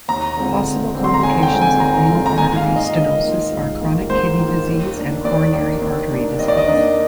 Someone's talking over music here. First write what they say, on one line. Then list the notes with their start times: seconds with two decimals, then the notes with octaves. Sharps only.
Possible complications of renal artery stenosis are chronic kidney disease and coronary artery disease.
0.08 D#2 A#5
0.37 D3 G#3 C4 F4
0.66 D#2
0.95 D3 G#3 C4 F4
1.04 C6
1.14 A#5
1.23 D#2 G#5
1.43 G5
1.52 D3 G#3 C4 F4
1.61 G#5
1.80 D#2 A#5
2.09 D3 G#3 C4 F4
2.26 A#5
2.38 G#2 G#5
2.57 F5
2.67 D#3 A#3 F4
2.76 D#5
2.95 G#2 D#5
3.24 D#3 A#3 F4
3.52 G#2
3.81 D#3 A#3 F4
4.10 G#2 C5
4.39 D#3 A#3 F4
4.67 D#2
4.96 D#3 A#3 D4
5.24 D#2 D5
5.53 D#3 A#3 D4
5.81 D#2
6.11 D#3 A#3 D4
6.39 D#2 D#5
6.48 D5
6.57 D#5
6.68 D#3 A#3 D4